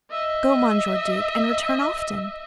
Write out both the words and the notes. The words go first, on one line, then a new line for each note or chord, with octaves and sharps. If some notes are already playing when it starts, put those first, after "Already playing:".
Go, Monsieur Duke, and return often.
D#5 E5